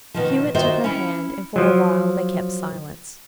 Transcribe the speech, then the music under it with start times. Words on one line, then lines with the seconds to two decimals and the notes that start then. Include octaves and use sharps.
Hewett took her hand, and for a while they kept silence.
0.14 B2 D#3 F3
0.54 D#3 F4 F#4 C5 D#5 E5
0.84 C#4 E4
1.56 F3 F#3